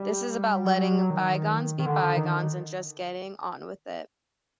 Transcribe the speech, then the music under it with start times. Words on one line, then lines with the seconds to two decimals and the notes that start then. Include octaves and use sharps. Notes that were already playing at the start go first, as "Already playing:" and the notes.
This is about letting bygones be bygones and just getting on with it.
Already playing: G3
0.65 F#3
1.10 D#3
1.79 D#3
1.86 D3
2.16 D#3